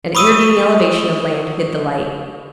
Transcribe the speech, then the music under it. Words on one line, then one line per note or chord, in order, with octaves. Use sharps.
An intervening elevation of land hid the light.
B5 C#6 D#6 E6 D#7